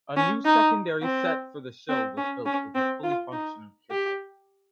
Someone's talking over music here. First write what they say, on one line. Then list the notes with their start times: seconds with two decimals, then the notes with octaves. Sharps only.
A new secondary set for the show was built with a fully functional kitchen.
0.17 C#4
0.45 D#4
1.02 C4
1.89 C4
2.17 C#4
2.46 C#4
2.75 C4
3.04 F4
3.32 D#4
3.91 G4